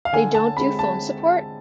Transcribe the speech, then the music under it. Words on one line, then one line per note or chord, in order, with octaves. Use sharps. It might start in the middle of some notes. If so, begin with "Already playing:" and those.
They don't do phone support?
F5
D3 G#5
A5
G#3 C4 B5
A5